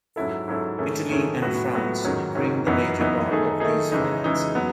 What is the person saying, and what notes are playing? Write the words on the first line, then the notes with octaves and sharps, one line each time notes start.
Italy and France bring the major part of these financing.
G#2 F#3 C#4 E4 A4
G#2 F#3 C#4 E4 A4
G#2 D#3 A3 C#4 G#4
G#2 D#3 A3 C#4 G#4
A2 F#3 B3 F#4
A2 F#3 B3 F#4
G#2 D#3 F#3 C#4
G#2 D#3 F#3 C#4
F#2 E3 B3 D#4
F#2 E3 B3 D#4
D#3 A3 D#4 G#4
D#3 A3 D#4 G#4
C#3 E3 G#3 D#4
C#3 E3 G#3 D#4
F#3 B3